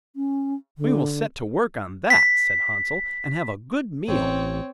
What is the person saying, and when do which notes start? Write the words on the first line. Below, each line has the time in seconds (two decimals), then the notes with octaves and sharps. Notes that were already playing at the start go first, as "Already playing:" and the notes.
'We will set to work on that,' said Hansel, 'and have a good meal.
0.16 C#4
0.78 D3
2.10 B6
4.08 A1 C4 C#5